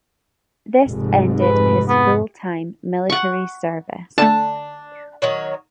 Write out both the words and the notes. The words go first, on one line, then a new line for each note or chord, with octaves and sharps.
This ended his full-time military service.
F1 G#2
B4
B3
F#5 C#6
D3 A3 D4 A5
D#3 F#3 C#5